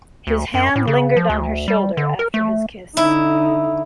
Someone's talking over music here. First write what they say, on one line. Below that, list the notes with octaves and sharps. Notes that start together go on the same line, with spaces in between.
His hand lingered on her shoulder after his kiss.
D2
F#2
A2
C#3
F3
D2
G3
D3
A#4
A3
D3 D#4 E4